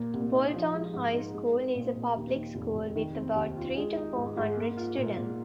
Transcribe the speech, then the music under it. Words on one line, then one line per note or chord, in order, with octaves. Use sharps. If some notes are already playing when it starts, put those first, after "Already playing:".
Bolton High School is a public school with about three to four hundred students.
Already playing: A#2 A#3
C2
D#4
F3
G#3
G#2
D#4
G#3
C4
A#2
A#2
D#2
D#3
F1
F1
D#3
C4
D#2
F4
G#3
D#4
G#2
G#2
A#3
F4
A#2
A#2